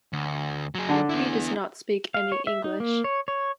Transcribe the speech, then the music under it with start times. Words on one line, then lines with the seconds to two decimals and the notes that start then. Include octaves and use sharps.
He does not speak any English.
0.13 D2
0.75 F#3 G#4
0.89 D3 D4
1.10 B3 E4
2.14 F5
2.32 C#5
2.47 E5
2.64 D#4
2.80 A#3
3.04 C#5
3.28 C#5